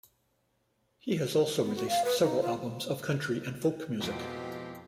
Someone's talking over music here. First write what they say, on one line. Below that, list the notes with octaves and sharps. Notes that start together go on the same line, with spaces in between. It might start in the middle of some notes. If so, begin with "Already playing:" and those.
He has also released several albums of country and folk music.
B3
F#4
F5
B4
D#4
F4
F2 B2 G#3 C4 E4 F4 G4 D7